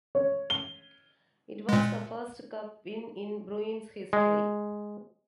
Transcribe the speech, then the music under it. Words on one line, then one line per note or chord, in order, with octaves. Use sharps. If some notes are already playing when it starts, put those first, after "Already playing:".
It was the first Cup win in Bruins history.
C#5
G7
A#2 G#3
G#3